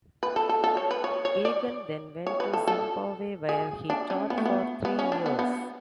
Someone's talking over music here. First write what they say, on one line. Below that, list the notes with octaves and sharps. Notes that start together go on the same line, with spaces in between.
Eggen then went to Zimbabwe, where he taught for three years.
B4
A4
A4
A4
C#5
B4
C#5
C#5
D5
C#5
B4
A4
A4
G#4
D4
C#4
B3
A3
B3
B3
C#4
D4
B3
B3